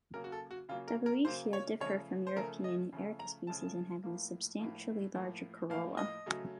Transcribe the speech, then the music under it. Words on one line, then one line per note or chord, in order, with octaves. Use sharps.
"Daboecia" differ from European "Erica" species in having a substantially larger corolla.
C#3 F#3 A#3 A#4
F#4
A4
F#4
C#3 F#3 A#3 F4
A#4
A#4
C#3 F#3 A#3 C5
C#5
C#3 F3 A3 C#5
C5
C#3 F3 A3 A#4
D#5
C#3 F3 A3
A#5
C#3 F3 A3 A5
A2 F3 A#3
A2 F3 A#3
A2 F3 A#3
A2 F3 A#3 F5
D#5
C#3 F#3 A3